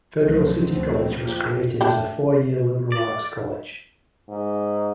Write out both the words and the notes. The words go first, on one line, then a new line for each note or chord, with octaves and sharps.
Federal City College was created as a four-year liberal arts college.
C2 D#3 F3 F#3 A3 C4
D2 A3 B3 C4
D#3 F3 A#3 G4
A3 D4 G5
D5
G#2